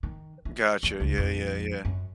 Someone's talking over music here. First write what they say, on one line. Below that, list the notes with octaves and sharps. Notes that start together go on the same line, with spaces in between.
Gotcha, yeah, yeah, yeah.
D#3
E3
E2
C#2
A#1 F2
F#2